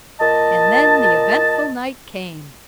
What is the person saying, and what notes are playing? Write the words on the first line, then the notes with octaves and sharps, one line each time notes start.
And then the eventful night came.
A#2 D#5 A5